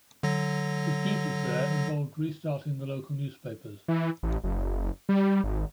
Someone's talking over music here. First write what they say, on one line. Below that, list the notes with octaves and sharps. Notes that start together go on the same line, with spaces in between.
His duties there involved restarting the local newspapers.
D3 F#3 A#6
E3
A1
F#1
G3
G#1